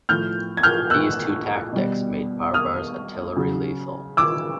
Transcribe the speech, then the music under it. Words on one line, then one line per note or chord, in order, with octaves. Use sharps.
These two tactics made Babur's artillery lethal.
A2 F3 F6 G6
G#6
F6 G6
E6 F#6
B2 G3
D#6 F6
C#3 F#3
D6 E6